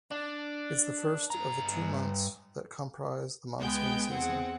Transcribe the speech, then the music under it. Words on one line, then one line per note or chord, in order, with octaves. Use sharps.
It is the first of the two months that comprise the monsoon season.
D4
G2 A#5
C#2 G#3 B3 G5 G#5 G6
E2 C4 G#4 F#5